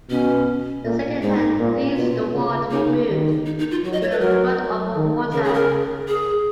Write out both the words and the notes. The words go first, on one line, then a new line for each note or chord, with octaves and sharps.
The second hand leaves the wall to be moved to the front over water.
B2 C#4
A#2
G#2 D#4
A#2
B2 F4
C#3
C#3 D#4
D#3
D#4
D#4
F4
F#3 F#4
D#5
C#5
B4
F#3 A#4
D#3
C#3 A#4
G#4
A#4
G#4